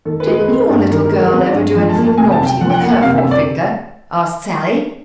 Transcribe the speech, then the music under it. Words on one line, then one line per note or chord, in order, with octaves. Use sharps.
"Didn't your little girl ever do anything naughty with her forefinger?" asked Sallie.
D#3 A4
B4
G#3
B4
C4
G2
D#3 A#4
A#4
G#3
A#4
C4 B4
D5
G2
F3
A5
A#3
A5
C3 G#5
A5
C3
G5
F3 F#5
G5
F#5
A#3
F#5
C3 F5
E5
C3
D5